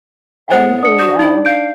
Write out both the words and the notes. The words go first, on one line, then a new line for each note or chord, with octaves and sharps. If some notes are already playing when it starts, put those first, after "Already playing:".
anything else,"
A2 B3 C5 F#5
D4 D#6 C#7
F#4 D#6 G6
D#4 E4
F5 G6 D7